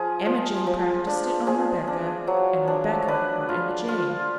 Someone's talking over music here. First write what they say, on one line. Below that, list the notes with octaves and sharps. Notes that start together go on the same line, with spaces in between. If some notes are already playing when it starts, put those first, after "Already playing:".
Emma Jane practiced it on Rebecca, and Rebecca on Emma Jane.
Already playing: F3 G#4
F3
F3
D4
F3 G#4
D4
F#3
D4
D4 B4
F4
F4